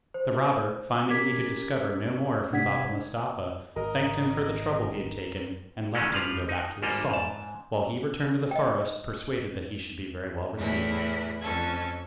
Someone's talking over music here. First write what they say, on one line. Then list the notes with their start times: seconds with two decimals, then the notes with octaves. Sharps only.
The robber, finding he could discover no more from Baba Mustapha, thanked him for the trouble he had taken, and left him to go back to his stall, while he returned to the forest, persuaded that he should be very well received.
0.14 C5
1.10 C#4 G4 A#4 D6 G#6 B6
2.53 C3 D4 F#5 G#6 B6
3.76 G#1 A#4 D#5
5.94 D#3 E3 G#3 A3 C#4 D#4
6.13 F3 G3 B4 F5
6.49 D#4
6.82 G#1 G#2 G3 A#3 A4 D#5
7.09 G#2 A5
8.51 D#5 G5
10.57 E2 A2 E4
11.40 F2 C#4 A4 G#6